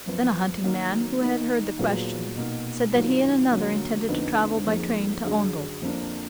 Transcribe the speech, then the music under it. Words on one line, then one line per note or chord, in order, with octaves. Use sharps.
Then a hunting man who had heard the question said that he and another intended to travel by train to Oundle.
F#2 F3 B3
D#3 F#3 A#3
D#3 A#3 D#4
A#2 F#3 B3 F4 G#4
B2 A#3 D#4
G#2 D#3 F#3 B3 F4
D3 F#3 A#3
F2 D3 F3 B3 D#4
F2 F3 A#3 D#4 G#4
F#2 D3 F#3 D4 G#4
F2 F3 A#3 D4